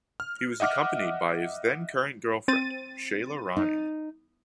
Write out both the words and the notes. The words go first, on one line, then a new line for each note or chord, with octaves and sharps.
He was accompanied by his then-current girlfriend, Sheila Ryan.
F6
D#5 E5 F#5 D6 F6
C4 A6 D#7
D#4